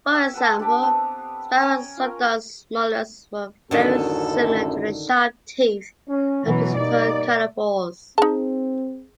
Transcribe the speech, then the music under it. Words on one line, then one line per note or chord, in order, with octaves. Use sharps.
For example, sparassodonts' molars were very similar to the sharp teeth of placental carnivores.
E5 G5
A4 B4 F#5
D4 G4 G5 A5
B3 C4
C#4 G5 G#5 A#5
F4 A#4
A1 F#2 D3 D#3 A4
C#4
B2 E3 F#3 C#4
G3 A#3 D#4 D5
C4 D#4 G#4 A5